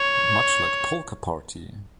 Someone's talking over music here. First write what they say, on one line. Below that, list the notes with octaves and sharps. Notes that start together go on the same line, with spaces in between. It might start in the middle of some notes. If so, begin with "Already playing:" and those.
Much like Polka Party!
Already playing: C#5